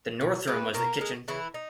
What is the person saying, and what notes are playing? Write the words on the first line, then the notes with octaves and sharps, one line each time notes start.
The North room was the kitchen.
B2
G#3 B3 B4
B2 A#3 A#4
G#3
C#3 E3 E4
D#4